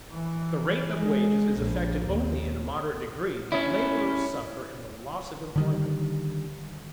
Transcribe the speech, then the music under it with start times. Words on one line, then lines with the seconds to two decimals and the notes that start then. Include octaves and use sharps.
The rate of wages is affected only in a moderate degree, but laborers suffer in the loss of employment.
0.12 E3
0.96 G#3
1.59 A#1
2.07 D#2
3.52 C#4 E4
5.56 D3 D#3 G3